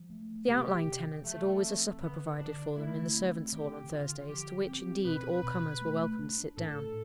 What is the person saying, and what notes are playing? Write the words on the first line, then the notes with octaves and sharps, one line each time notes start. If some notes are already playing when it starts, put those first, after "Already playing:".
The out- lying tenants had always a supper provided for them in the servants'-hall on Thursdays, to which, indeed all comers were welcome to sit down.
Already playing: F3
A3
C3 G4
C3
F3 A3
C4
D3 B3
D3 D4
A3 E4
C4
D3 G4
D3 F4
F3 G4
C4 G4
B2 B4
B2
A3
D4
A2 A4